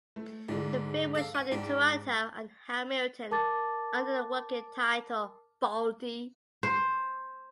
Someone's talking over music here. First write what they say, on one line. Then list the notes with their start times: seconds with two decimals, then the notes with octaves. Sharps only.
The film was shot in Toronto and Hamilton under the working title "Baldy".
0.16 A3
0.49 G#2 D3 G#3
1.15 A4 F5
1.34 F#5 D#7
1.52 G#2 D4 G4
3.31 A#4 A5 D6 A6
6.63 C5